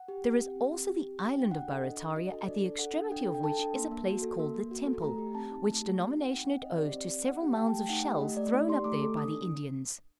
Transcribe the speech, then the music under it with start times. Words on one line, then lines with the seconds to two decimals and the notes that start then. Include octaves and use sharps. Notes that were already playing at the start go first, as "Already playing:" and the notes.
There is also the island of Barrataria, at the extremity of which is a place called the Temple, which denomination it owes to several mounds of shells thrown up there by the Indians.
Already playing: F#5
0.08 G4
0.25 G4
0.40 C4
0.56 C4
0.73 G4
0.88 G4
1.05 C4
1.20 D4 G5
1.37 D4 G5
1.51 F#4 F#5
1.68 A4
1.84 D4 D#5
2.00 D4
2.16 F#4 D#5
2.32 A4
2.47 D4 D5
2.64 A4
2.79 A4 F#5
2.95 D4
3.12 D4 G5
3.27 A4
3.35 G5
3.43 A4 A5
3.59 D4
3.75 A#3
3.91 A#3
4.07 F#4
4.22 A4
4.39 A#3
4.54 A#3
4.71 F#4
4.86 A4
5.02 A3 A#5
5.18 G4
5.35 C4 A5
5.51 D#4
5.66 A3
5.82 G4
5.99 C4
6.14 D#4
6.21 F#5
6.29 C4 G5
6.46 C4 F#5
6.62 D#4 D#5
6.72 C5
6.77 G4 D5
6.94 C4 D5
7.09 C4
7.26 D#4 F#5
7.42 G4
7.57 A3 G5
7.68 A5
7.74 A3 G5
7.89 D#4 F#5
8.05 G4
8.21 A3 D#5
8.37 A3 D5
8.53 D#4 D5
8.69 G4 C6
8.84 A3 D6
9.01 A4
9.17 D4 D#6